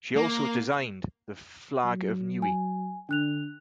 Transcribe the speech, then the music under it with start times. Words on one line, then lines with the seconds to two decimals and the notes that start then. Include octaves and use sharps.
She also designed the flag of Niue.
0.16 A#3
1.84 F#3
2.42 G#5
3.09 D3 D4 F#6 F7